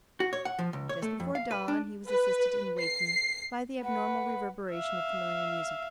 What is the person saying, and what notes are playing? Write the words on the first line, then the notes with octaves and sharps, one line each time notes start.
Just before dawn he was assisted in waking by the abnormal reverberation of familiar music.
F#4
C#5
F#5
F3
C#2
C#5
A3
F2
F5
B4
D4
B4
C7
B4 F#5
E5 F5